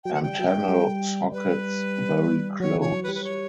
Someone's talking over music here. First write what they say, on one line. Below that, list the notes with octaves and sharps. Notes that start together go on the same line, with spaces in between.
Antennal sockets very close.
F#3 G5
F#5
G3 G5
F#3
G3
G3
G3 B4
F#3 C#5
E3
C#5
F#3
B4
G3
B4
C#5